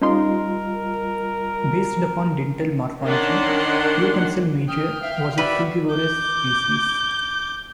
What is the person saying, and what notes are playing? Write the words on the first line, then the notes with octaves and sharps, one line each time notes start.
Based upon dental morphology, "Proconsul major" was a frugivorous species.
G3 C#4 D#4 F4 A#4 D#5 C6
D#3 C#4 D4 F#5 C6
G5 D#6 F6
E5 F5
F#4 B4 D5 E5 B5
D6 G6